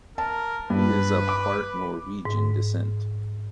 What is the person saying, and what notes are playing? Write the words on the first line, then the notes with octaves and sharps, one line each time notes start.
He is of part Norwegian descent.
A#4 A5
G2 B4
B5 D6
G#2